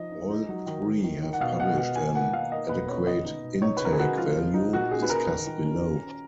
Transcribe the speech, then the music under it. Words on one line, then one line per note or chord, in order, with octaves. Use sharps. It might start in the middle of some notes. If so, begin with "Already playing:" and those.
All three have published an "Adequate Intake" value, discussed below.
Already playing: F3 D#4 D#5
D#4
D#4
F#3
D#3
D#3
D#3
D#3
F#5
B2 F5
B2 F#5
B3 F#5
D#3 G#5
A#3 F#5
D#4 F5
A#3 D#5
B2 B4
C#4 C#5
B3 D#5
D#4
B2
D#4 C#5
B4
C#3
A#4
G#4
D#4 F#4
F3 F4
F3
D#4
A#2 F#4
C#4 G#4
B4
A#2 A#4
D#3
D#3
C#4
C#4
C#4